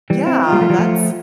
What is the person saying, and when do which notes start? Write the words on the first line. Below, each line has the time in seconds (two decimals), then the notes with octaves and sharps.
Yeah, that's
0.10 E3 G3
0.26 C4 E4
0.44 F4
0.52 G3 A#3
0.61 F3 A3
0.69 E3 G3
0.78 F3 A3